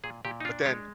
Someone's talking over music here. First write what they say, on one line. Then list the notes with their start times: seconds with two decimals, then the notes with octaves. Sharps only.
but then
0.04 A#2 G#4
0.25 A#2 G4
0.40 D#4
0.45 D4 F4
0.66 G#3 G4